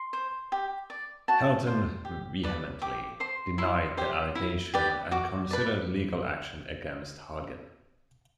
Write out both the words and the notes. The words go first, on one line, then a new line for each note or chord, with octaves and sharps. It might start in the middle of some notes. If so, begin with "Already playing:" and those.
Helton vehemently denied the allegation and considered legal action against Hagin.
Already playing: C6
C5
G4
D5
F#4 A5
C5
G4
B4 D5
G4 D6
C5 C6
E4 C6
G4 C5
E4
G4 B4 D5
F#4 D6
B4 D5